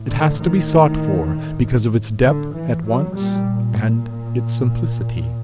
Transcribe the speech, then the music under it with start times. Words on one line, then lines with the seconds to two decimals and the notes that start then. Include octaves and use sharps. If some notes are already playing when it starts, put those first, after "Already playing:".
It has to be sought for because of its depth at once and its simplicity.
Already playing: A2
0.10 D3
0.40 D#3
2.22 D3
2.53 E3
2.85 F#3
3.14 A#2 G3